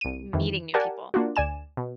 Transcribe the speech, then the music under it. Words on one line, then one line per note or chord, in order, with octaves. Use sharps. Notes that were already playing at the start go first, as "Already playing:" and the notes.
meeting new people?
C2 D#7
F2 D#3 E3
G4 A#4 D5 F#5 G#5 A5
A#3 D4 F4 F#4
D2 D5 G#5 E7
B2